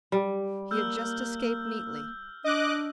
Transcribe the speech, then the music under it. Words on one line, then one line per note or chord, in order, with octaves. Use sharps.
He had just escaped neatly.
G3
A#3 E6 F6 G6
D4 D#5 D6 F#6